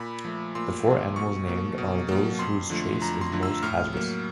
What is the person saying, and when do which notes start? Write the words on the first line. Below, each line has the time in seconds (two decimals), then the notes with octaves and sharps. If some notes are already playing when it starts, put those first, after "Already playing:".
The four animals named are those whose chase is most hazardous.
Already playing: A#2 B5
0.25 F3 A3
0.55 A#2 C6
0.86 F3 A3
1.16 B2 C#6
1.47 F#3 A#3
1.78 B2
2.09 F#3 A#3
2.39 F2 C6
2.70 D3 F3 A3
3.02 F2 A#5
3.21 C6
3.32 D3 F3 A3
3.43 E6
3.63 A2 F6
3.93 F#3 A#3